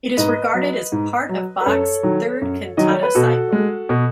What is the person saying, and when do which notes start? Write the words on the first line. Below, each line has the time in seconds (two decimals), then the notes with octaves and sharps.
It is regarded as part of Bach's third cantata cycle.
0.17 G#2 B4 D#5
0.54 F#3
0.92 G#2
1.29 F#3
1.60 B4
1.66 F#2 A4 C#5
2.03 D#3 F#3
2.41 F#2
2.77 D#3 F#3 D#5
2.90 C#5
3.03 B4
3.15 B2 F#4 A4
3.52 G#3
3.89 B2